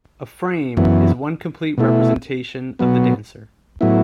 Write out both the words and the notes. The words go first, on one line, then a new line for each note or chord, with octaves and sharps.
A "frame" is one complete representation of the dancer.
F#2 E3 B3
B2 A3 E4
B2 F#3 B3
A2 F#3 B3 E4